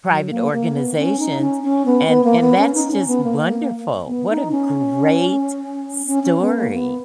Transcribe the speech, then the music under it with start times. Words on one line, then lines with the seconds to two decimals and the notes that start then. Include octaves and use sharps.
private organizations, and and that's just wonderful. What a great story.
0.08 F#3
0.31 A#3
0.53 A#3
0.75 B3
0.97 C#4
1.19 D#4
1.41 C#4
1.64 C#4
1.86 B3
2.08 B3
2.24 A#3
2.41 B3
2.58 C#4
2.74 D#4
2.91 C#4
3.07 B3
3.24 A#3
4.08 B3
4.30 D#4
4.51 C#4
6.07 C#4
6.23 C#4
6.41 B3
6.57 A#3
6.74 B3